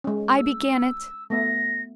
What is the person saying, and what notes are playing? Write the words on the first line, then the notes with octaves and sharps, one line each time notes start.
I began it!
G#3 C#4
E6
A3 B3 E5 A#6